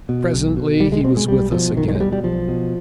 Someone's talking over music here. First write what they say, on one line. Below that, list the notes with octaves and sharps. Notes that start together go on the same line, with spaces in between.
Presently he was with us again.
B2
B1
B2
B1 G3
G#3
B2 C4
G#3
B1 G3
B2 F3
B1 D#3
D#3
G#3
B2 G3
G3
B1 F3
B2